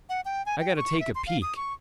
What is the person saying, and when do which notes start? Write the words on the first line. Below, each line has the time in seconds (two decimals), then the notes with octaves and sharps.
I gotta take a peek.
0.09 F#5
0.25 G5
0.46 G#5
0.60 G5
0.77 C#6
1.00 E5
1.15 C6
1.27 F5
1.42 D#6
1.56 C#6